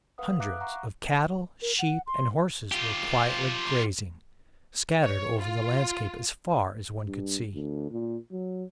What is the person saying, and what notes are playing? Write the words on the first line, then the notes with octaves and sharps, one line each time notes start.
Hundreds of cattle, sheep, and horses were quietly grazing, scattered over the landscape as far as one could see.
B4 F5 F#5 D#6
E5 F5 A#5 D6 F#6
F#5 A#5 C#6
A#4
F#5
C6
F4 G4
C#5
F4
G2
D2
A#2
F#3